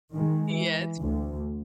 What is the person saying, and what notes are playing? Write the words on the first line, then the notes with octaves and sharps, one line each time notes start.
Yeah, it's fun.
D#3 G#3
E3
D2